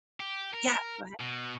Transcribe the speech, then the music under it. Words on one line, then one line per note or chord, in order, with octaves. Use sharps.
yeah, go ahead.
G4
A#4
B2